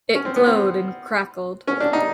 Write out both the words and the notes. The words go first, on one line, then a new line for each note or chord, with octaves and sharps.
It glowed and crackled.
C#4
C4
B3
C4
C#4
D4
D#4